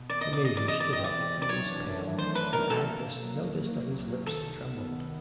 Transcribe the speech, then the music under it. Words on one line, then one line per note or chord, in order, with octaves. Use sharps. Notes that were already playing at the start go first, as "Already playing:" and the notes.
The Major stood up, he was pale, and Agnes noticed that his lips trembled.
Already playing: B2
E3 D5
D#5
E3
D5
E3 D#5
E3 D5
D#5
E3 D5
C4 D#5
D5
E3
E3
D5
F#3 C#5
D4
A3
D#3
A3 C5
A3 B4
F#3 A#4
F#3 A4
A#3
A#3
F#3
F#3
F#3
A#3
C2
C2
D#3 A4
D#3
B3
B3
D#3